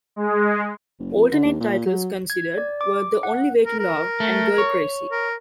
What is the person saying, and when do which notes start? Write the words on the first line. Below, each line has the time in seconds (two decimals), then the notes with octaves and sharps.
Alternate titles considered were "The Only Way to Love" and "Girl Crazy".
0.16 G#3
0.99 F#1
1.15 F2
1.32 D3
1.44 D#2
1.60 A#2
1.86 F#3
2.30 G#6
2.58 D5
2.81 D6
3.23 F#5
3.65 A#4
3.79 A#4
4.20 A3
4.58 C#5
5.11 A#4